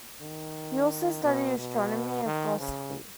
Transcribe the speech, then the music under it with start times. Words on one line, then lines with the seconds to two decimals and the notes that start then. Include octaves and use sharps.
He also studied astronomy and philosophy.
0.21 D#3
1.24 B2
1.58 B2
2.26 D#3
2.60 C#3